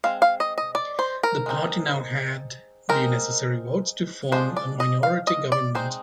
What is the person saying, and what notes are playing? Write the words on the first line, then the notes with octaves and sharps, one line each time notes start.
The party now had the necessary votes to form a minority government.
G#3 C4 F5
F5
D#5
D#5
D5
C5
A#4
G#3 C4 D#4
G#3 C4 D#4 A#4
F3 G#3 D4 C5
D5
D#5
F5
D#5
D5
G#3 C4 D#4 C5